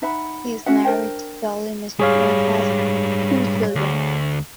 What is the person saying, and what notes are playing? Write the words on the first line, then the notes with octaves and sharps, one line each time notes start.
He is married to Dolly Misri and has two children.
D#4 E5 F#5 B5
C#4 F#4 E5 F#5
D4 A#4 C5 G5
G#2 G3 G#4 C#5 F5
D2